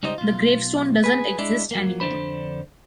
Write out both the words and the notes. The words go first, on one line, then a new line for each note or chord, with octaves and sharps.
The gravestone doesn’t exist anymore.
C#2 G3 D#4 C5 D#5
B1 F4
G#4 B4
G#3 D4 E4
F#3 A#3
F2 D3 D4 C5 B5